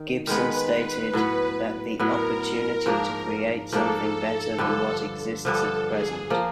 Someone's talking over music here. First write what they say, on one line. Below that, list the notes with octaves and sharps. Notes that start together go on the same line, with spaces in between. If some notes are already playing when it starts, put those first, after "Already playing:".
Gibson stated that "the opportunity to create something better than what exists at present".
Already playing: D#3
D#3 G#3 B3 B4
A2 F#3 B3
A2 F#3 B3 A#4
G#2 F3 A#3 D4
G#2 F3 A#3 D4 A4
G2 D3 F3
G2 D3 F3 A4
G#4
F3 A#3